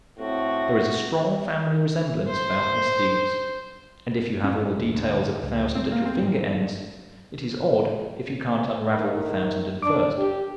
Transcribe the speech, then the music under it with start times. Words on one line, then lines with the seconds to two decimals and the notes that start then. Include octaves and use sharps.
There is a strong family resemblance about misdeeds, and if you have all the details of a thousand at your finger ends, it is odd if you can't unravel the thousand and first.
0.19 A2 C4 F#4
2.28 C5
4.44 C#4
4.58 G#2
4.77 D#1
4.95 D2
5.20 G#2
5.43 C#2
5.75 C4
5.92 A#3
6.06 C4
6.22 G#2
6.42 G#2
8.88 D#3
9.82 D4 D6
10.19 G4